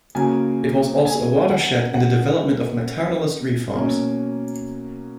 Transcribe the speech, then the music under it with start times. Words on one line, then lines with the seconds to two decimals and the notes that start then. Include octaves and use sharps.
It was also a watershed in the development of maternalist reforms.
0.15 C#3 F#3 A#3 G#5
1.05 G#5
1.50 F#5
1.94 F#5
3.73 B2 F#3 A#3 C#4